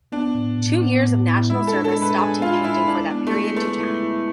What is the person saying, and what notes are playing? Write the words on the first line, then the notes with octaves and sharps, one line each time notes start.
Two years of national service stopped him painting for that period to time.
B3 D4
A2
A2
B3
A2
E4
G#3 E4
A4
D4
A4
G#3
B4
D4 G#4
D4 F4
G#3 E4
D4 E4
B3 D4
A3
G#3 E4
A3 B4
E4
E4